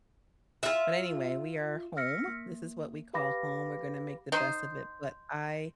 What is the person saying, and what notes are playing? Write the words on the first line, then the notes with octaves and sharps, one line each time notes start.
But anyway, we are home. This is what we call home, we're gonna make the best of it, but I
F4 E5
E6 F6 A#6 B6 C#7
A#3
G4 B4 F5 B5 D6 A#6
D#4 C5